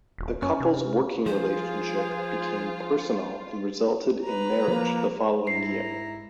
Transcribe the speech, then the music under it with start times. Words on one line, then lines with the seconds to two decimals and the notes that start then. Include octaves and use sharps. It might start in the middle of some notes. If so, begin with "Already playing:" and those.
The couple's working relationship became personal and resulted in marriage the following year.
0.18 D#1
0.42 F#2 C#4
0.60 C3
1.26 F3 F4 G#4 C5
4.24 B4 A#5
4.68 F3 A#3
5.47 G#2 E4 A#5 C7